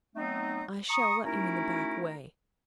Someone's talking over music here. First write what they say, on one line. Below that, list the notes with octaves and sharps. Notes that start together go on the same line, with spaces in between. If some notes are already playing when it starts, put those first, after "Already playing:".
I shall let you in the back way.
F#3 A3 B3 C4 D#4
A#5 C#6 D#6
A3 C#4 D#4 E4 F#4 A#4